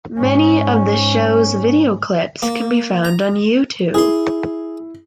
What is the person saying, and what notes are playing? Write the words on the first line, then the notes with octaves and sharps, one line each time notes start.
Many of the shows video clips can be found on YouTube.
G#2 C#4
A#3
A#5
E4 G#4 C6